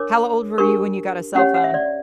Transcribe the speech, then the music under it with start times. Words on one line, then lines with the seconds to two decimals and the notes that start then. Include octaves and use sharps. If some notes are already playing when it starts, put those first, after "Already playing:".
How old were you when you got a cell phone?
Already playing: D4 A#4 C#5 D6
0.58 D4 G4 A#4 C#6
1.35 C#4 G4 C#5 F#5
1.54 F#5
1.64 E5
1.74 D5